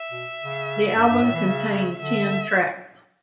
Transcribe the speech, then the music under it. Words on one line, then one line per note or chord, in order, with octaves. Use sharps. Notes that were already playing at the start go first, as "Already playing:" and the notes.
The album contained ten tracks.
Already playing: E5
B2
C#3
G2
G2
A2
E3
C#3
D3 E5